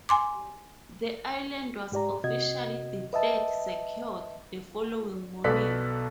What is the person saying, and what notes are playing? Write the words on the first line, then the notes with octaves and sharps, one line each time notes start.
The island was officially declared "secured" the following morning.
G#5 C6 D6
G#2 G4 D5 A#5
C3 F#4 D#5 G#6
B4 D#5 E5 A5
B1 B2 A4 D5 F#6 B6